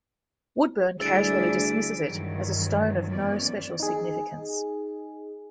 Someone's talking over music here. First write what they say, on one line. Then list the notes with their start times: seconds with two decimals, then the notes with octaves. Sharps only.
Woodburn casually dismisses it as a stone of no special significance.
1.00 D2 G3 D4 E4 G#4 E6 A6 D7
2.03 G2 D#3 E3 F#3
3.08 F#2 E3 B3 C#4 D5
3.80 D#4 G#4